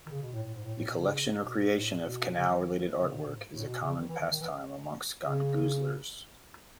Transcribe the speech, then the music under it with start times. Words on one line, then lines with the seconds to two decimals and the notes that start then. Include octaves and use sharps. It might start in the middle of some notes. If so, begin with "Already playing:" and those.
The collection or creation of canal related artwork is a common pastime amongst gongoozlers.
0.06 D#3
0.11 C#3
0.22 B2
0.32 A2
0.43 A2
0.53 G#2
0.64 A2
0.75 A2
0.86 B2
0.97 C#3
1.40 B2
1.72 A2
2.05 B2
2.36 C#3
2.50 E3
2.58 D#3
3.00 C#3
3.09 B2
3.17 D#3
3.25 B2
3.33 G#2
3.55 A2
3.65 B2
3.81 C#3
3.98 D#3
4.08 E3
4.19 D#3
4.30 D#3
4.41 E3
5.26 C#3